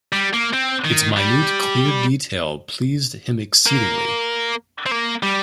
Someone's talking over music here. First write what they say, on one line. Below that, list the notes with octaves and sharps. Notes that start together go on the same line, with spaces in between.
Its minute, clear detail pleased him exceedingly.
G3
A#3
C4
D#3
G3
A#3
C4
A#3
G3